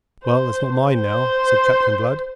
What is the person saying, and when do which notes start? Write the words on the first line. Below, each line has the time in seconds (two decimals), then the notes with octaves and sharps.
"Well, it's not mine, now," said Captain Blood.
0.25 C5
0.96 C5